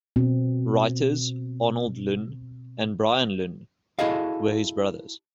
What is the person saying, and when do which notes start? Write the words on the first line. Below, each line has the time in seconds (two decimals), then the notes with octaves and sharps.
Writers Arnold Lunn and Brian Lunn were his brothers.
0.16 B2 C4
3.99 E4 F#4 G#4 A4 D#5 F5